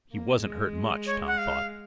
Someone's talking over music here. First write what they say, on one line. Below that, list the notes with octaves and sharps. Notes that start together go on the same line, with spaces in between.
He wasn't hurt much, Tom thought.
A#3
G#3
C#5
F#5
F5